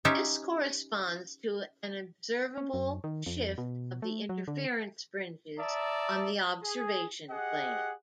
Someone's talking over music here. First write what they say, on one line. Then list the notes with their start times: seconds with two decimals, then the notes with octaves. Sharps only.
This corresponds to an observable shift of the interference fringes on the observation plane.
0.05 C#4 D#4 G4 C5 E5
2.58 C#4
2.74 F#2
3.04 D#3
3.26 F2
3.58 B2
4.02 A3
4.29 F#3
4.48 D3
5.59 D5 E5 A5 A#5 D#6
6.63 G#4
7.30 G4 G#4 D#5 F#5